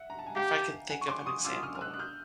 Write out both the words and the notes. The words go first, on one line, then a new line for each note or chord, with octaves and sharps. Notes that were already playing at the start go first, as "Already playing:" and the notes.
Wonder if I can think of an example.
Already playing: E5 F#5
A#5
A5
G#5
G4 F5 G5
F#5 G#5
C#6
C6 D6
C#6 D#6
F4 D6 E6
D#6 F6
F6
E6 F#6
F#6
F6 G6